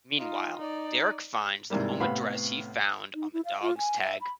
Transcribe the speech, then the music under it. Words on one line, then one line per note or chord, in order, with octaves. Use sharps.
Meanwhile, Derek finds the home address he found on the dog's tag.
D#4 F4
D#4 D5
G#2 C3 E3 G3 A#3
A2 C3 B3 F5 F#5 B5
D#4
E4
F5
F4
G#5
E5
B5